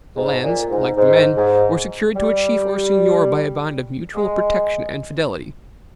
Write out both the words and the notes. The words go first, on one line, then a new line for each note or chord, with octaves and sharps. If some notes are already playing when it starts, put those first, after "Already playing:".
The lands, like the men, were secured to a chief or seignior by a bond of mutual protection and fidelity.
G#2
A#2
G#2
G#2
G#2
G3
G#3